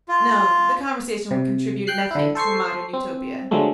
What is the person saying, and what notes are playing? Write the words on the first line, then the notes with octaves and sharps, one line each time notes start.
No, the conversation would contribute nothing to a modern Utopia.
F4
C3
G5 F#6 C7
D3 E4
A4 C5 C#6 C7
C4
D3 F3 F#3 G#3 A3